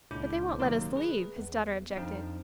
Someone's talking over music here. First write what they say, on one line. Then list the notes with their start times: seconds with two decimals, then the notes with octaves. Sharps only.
"But they won't let us leave," his daughter objected.
0.11 C#2 A#2 D4 E4 D6 G6
0.60 C3 D#3 F#3 A#3 D#4 A#4
0.96 G#4 B4
1.36 E2
1.97 F2 F3 D4 D#4